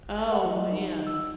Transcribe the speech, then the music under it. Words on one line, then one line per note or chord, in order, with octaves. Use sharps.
Oh, man.
G#1
A#4 F#5
F#3 D#5
D#4
E6